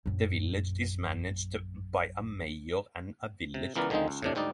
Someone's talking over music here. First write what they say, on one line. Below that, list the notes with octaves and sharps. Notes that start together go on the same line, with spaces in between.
The village is managed by a mayor and a village council.
A#1 F#2
C3
C#2 E3 B3 A#4 D5
D3 D#3 F3 G#3 C4 D#4
C#2
A2 C3 D4
D2 G#2 G3 D#4 D5